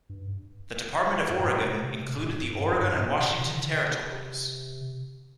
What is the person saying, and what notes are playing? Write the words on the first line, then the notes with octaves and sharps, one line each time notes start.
The Department of Oregon included the Oregon and Washington Territories.
G2
G2
A2
C3
C3
A2
G2
G2
G2
A2
C3
D3
C3